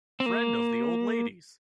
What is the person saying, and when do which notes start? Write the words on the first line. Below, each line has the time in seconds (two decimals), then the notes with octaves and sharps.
Friend of the old lady's.
0.20 C4
0.26 A#3